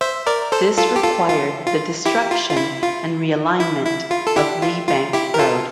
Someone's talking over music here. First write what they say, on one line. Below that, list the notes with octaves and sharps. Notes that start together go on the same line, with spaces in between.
This required the destruction and realignment of Lee Bank Road.
C5 E5
A#4 D5
A4 C5
F4 A4
G4
F4 A4
F4
F4
E4 G4
F4
F4
E4
F4
E4
E4
F4
A4
E4 G4
F4
F4
E4 G4
A#4
F4 A4